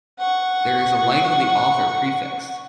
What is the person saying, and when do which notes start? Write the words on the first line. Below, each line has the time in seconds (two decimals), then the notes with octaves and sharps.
There is a life of the author prefixed.
0.18 F#5 C#6